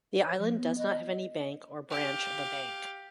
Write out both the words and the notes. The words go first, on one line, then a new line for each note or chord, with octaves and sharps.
The island does not have any bank or a branch of a bank.
C#5
F3
B3
D#5
G4 F5